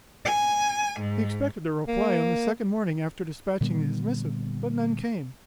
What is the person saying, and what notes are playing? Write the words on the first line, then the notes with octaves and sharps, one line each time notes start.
He expected a reply on the second morning after despatching his missive; but none came.
G#5
G#2
A#3
A#2 D3 G3 B3